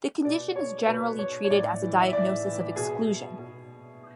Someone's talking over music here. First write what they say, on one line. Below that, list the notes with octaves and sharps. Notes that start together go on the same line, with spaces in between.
The condition is generally treated as a diagnosis of exclusion.
B2 D5
C#5
B2 B4
C#5
C#5
A2 D5
E3
E5
A2 D5
E3
B2 G#4
B2